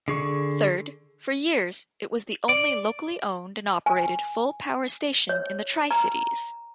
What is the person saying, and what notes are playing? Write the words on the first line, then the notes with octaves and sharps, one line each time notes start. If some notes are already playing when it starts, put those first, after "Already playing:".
Third, for years it was the only locally owned-and-operated full-power station in the Tri-Cities.
D3 G#4 C#6
D5
G#5
C#5
A#5